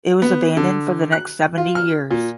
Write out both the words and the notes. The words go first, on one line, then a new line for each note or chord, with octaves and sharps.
It was abandoned for the next seventy years.
B3
D3
F#6
F4
F6
A#2